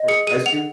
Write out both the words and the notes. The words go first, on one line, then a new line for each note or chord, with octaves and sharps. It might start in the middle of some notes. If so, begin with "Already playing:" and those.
with Ice Cube?
Already playing: D#5
G#4 C#7
G#4 D#7
F#5 F7